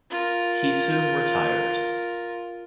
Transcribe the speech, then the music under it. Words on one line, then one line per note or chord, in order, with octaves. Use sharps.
He soon retired.
F4 A#4